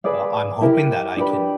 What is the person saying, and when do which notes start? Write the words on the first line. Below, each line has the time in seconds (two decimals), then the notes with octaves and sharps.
uh, I'm hoping that I can
0.04 G#4 B4 D5 F5
0.61 E4 G4 A#4
1.17 D4 G4 B4